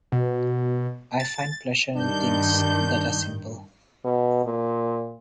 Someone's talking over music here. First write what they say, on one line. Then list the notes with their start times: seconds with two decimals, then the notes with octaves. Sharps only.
I find pleasure in things that are simple.
0.12 B2
1.20 A6
1.96 G2 D#3 D4 G6
4.04 B2
4.45 A#2